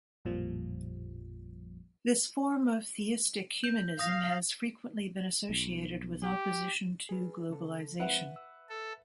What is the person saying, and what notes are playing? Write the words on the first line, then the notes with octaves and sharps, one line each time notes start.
This form of theistic humanism has frequently been associated with opposition to globalisation.
A1 F2 A#2 F3 G3
G6
F5 D#6 A#6
B1
G4
G#4 B4
C#3 A4
F3 G#3 C4 B4 E5 F#5
E6
A4